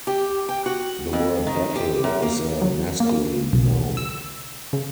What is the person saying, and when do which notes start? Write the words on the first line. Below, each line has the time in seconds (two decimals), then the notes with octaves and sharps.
The word battle is a masculine noun.
0.07 G4
0.49 G5
0.66 F#4
1.13 F2
1.47 D#3
1.76 G4
2.04 F#2
2.22 A#3
2.62 F#3
3.00 A#3
3.53 B1
3.97 E6
4.73 C#3